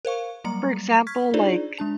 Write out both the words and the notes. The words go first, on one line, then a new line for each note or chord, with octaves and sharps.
For example, like
A#4 C5 F5 C#6
F#3 G3 A#3 A#5 C#7
C#6 F6 G#6 B6
D4 D#4 F4 G#4 C5 D5
G#3 D4 A5